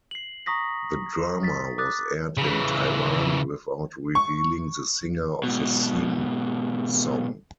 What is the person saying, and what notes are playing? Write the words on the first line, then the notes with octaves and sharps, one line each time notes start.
The drama was aired in Taiwan without revealing the singer of the theme song.
C7 F#7
A#5 C#6 D#6 A#6 B6
A6 B6
D6 D#6 F#6 A6
C#3 E3
C#6
G#2 B2